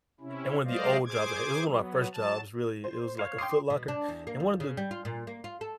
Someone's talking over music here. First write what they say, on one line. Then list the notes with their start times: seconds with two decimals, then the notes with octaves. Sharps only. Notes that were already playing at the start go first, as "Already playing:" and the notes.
in one of the old jobs I had- It was one of my first jobs, really.- It was, like, a Foot Locker, and one of the
0.20 C3 C#4 E4
0.65 F#3 G#3 C5 D5 D#5 F5
1.06 G#4 C5 D6 G#6
1.64 F#3 B3
2.13 F#3 A5
2.84 C5
3.19 C#5 F5
3.38 G5 C6 D6 D#6 C7
3.70 B2
3.88 D4
4.08 E2
4.27 A#3
4.40 E2
4.60 C#3
4.77 G3
4.91 F4
5.05 A#2
5.27 A#3
5.44 F4
5.61 A4